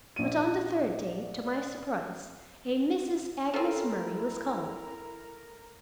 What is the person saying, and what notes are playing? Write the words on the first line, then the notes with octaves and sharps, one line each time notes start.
But on the third day, to my surprise, a Mrs. Agnes Murray was called.
A#1 D#7
C4 C#4 E4 A4 A#4